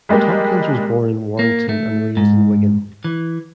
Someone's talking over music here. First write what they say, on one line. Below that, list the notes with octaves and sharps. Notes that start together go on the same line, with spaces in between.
Tomkins was born in Warrington and raised in Wigan.
G3 G#3 A#3 G4
A#3
A3
G#2
E3